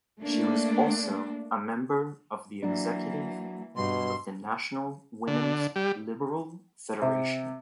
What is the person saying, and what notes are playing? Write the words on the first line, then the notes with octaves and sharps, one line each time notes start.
She was also a member of the Executive of the national Women's Liberal Federation.
A3 A#3 D4
E3 F#3 A#3 D4
G2 B2 C6
D3
G3
C3